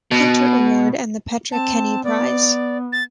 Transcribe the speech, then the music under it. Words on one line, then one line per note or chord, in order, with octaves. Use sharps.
Hunter Award, and the Petra Kenney Prize.
B2
C4 A5
B3 D5
A6